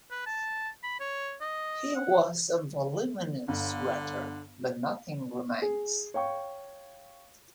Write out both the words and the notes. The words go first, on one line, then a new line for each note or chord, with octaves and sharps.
He was a voluminous writer, but nothing remains.
B4
A5
B5
C#5
D#5
F#5
G1 D3
G#4
C#5 F5 G5 C#6